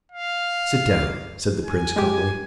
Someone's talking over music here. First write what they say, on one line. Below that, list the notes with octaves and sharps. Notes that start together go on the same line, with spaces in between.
"Sit down," said the Prince calmly.
F5
G#5
G#3 G4